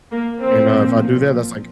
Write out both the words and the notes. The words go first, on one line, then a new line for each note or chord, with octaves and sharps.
and, uh, if I do that, that's, like,
A#3
A#2 F3 C4